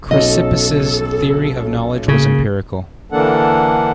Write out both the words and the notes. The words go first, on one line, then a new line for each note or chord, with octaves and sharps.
Chrysippus's theory of knowledge was empirical.
B1 C#4 A4 D#5
C#3 A#3
D3 E3 A#3 D4 A4 F#5